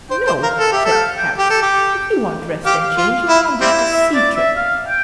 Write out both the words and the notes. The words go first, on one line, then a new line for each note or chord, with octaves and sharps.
"No," said Harris, "if you want rest and change, you can't beat a sea trip."
C5 G5
C5
A#4 F5
A4
G4 E5
A4
G5
F5
G5
G4 G5
A4
G4
G4 F5
F4
E4
G3 C4 E4
E5
D5
E5
F5
G5